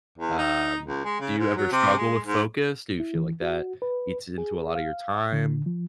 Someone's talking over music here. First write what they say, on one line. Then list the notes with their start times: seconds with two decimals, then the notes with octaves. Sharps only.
um, do you ever struggle with focus? Do you feel like that eats into a lot of your time?
0.18 E2
0.38 D#4
0.86 C#2
1.05 G#3
1.20 C#3
1.38 G#2
1.57 F#3
1.72 C3
1.97 G#3
2.26 G#2
3.00 E4
3.15 E3
3.42 F#4
3.82 B4
4.38 G#4
4.75 F5
5.33 D3
5.66 F3